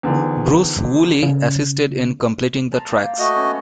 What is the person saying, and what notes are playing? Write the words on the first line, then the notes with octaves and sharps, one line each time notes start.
Bruce Woolley assisted in completing the tracks.
E2 D3 D#3 F3
C#3
A5 A#5 C6
A#3 F5 G5
A3 F#4 D#5
B3 C#4